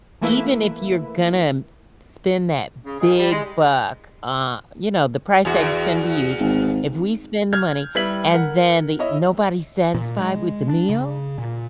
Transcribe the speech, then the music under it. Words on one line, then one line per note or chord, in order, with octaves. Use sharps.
even if you're gonna spend that big buck, uh, you know, the price tag is gonna be huge. If we spend the money, and then the nobody's satisfied with the meal?
E3 A3 A#3 E4 B4 E5
C#3
A#2 D#3 G#4
G3
E3 G#3
E2 F#4
G#1
F6 G6 G#6
G3 E4 B4 G#6 B6 F#7
A#4 F#5
E4 C#5 D#5 E5
A#2
G#3
D4
C#3
A#2